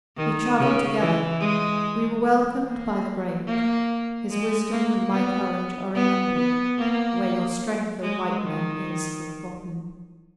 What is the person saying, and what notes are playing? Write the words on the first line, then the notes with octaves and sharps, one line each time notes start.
We travelled together. We were welcomed by the great; his wisdom and my courage are remembered where your strength, O white men, is forgotten!
D#3
C#3
E3
G#3
A#3
A#3
G#3
A#3
B3
B3
B3
A#3
G#3
D#3